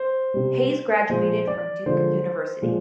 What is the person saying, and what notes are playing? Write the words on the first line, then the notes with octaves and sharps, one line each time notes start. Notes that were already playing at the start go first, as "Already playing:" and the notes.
Hayes graduated from Duke University.
Already playing: C5
C3 G3
A#2 F3 G#3 C5
D5
D3 F3 G#3 C5
A#2 F3 G#3